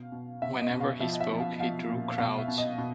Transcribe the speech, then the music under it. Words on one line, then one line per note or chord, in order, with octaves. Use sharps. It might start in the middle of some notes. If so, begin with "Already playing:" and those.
Whenever he spoke, he drew crowds.
Already playing: B2 F5
B2
B2 E5
D#5
B2
F5
F3 E5
D#5
E5
F3
F5
F3 F5
A#2
B2 F5
E5
B2
D#5
B2